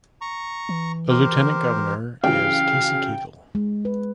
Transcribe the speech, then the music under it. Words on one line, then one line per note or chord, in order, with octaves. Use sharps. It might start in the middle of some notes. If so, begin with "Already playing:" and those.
The Lieutenant Governor is Casey Cagle.
A#5 C#6
E3
G4 A#4 C5
C#3 E3 F#3 F5 G5
G#3
B4